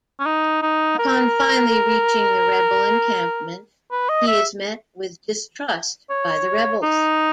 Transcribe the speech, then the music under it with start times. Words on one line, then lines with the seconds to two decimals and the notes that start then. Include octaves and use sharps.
Upon finally reaching the rebel encampment he is met with distrust by the rebels.
0.20 C#4
0.26 D#4
0.62 D#4
0.99 A#4
3.91 B4
4.09 D#5
4.27 E5
6.10 C#5
6.83 D#4